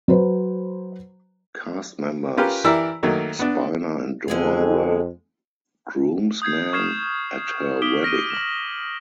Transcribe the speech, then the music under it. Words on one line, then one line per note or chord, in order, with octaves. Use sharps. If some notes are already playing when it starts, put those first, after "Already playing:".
Cast members Spiner and Dorn were groomsmen at her wedding.
F#3 B4 C5
C#4 F4 G4 A#4 B4
E3 E4 G4 A#4 D5
D#3 F#3 A3 A#3
B3 D4
F2 D3 G#3 G#4
D#6 G6 G#6 C7
C#6 F6 G#6 C7 E7
D6 D#6 B6 D7 G7
F6 A#6 D7 D#7
E7 F#7